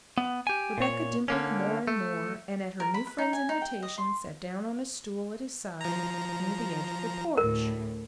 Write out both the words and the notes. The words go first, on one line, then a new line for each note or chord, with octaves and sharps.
Rebecca dimpled more and more, and at her new friend's invitation sat down on a stool at his side near the edge of the porch.
B3
G4 G#5
A#2 C#5
D3 A#3 C#4
A3
A#4
B5
B4
D#4
G#5
D#4
G5
D#5
C6
F3 A#5
D2 A2 A#4